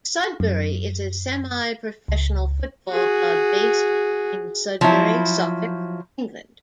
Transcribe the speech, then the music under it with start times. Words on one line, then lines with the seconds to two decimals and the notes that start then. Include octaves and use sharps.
Sudbury is a semi-professional football club based in Sudbury, Suffolk, England.
0.40 F#2
2.08 C#2
2.89 F#4 G#4
4.81 F3 F#3 E4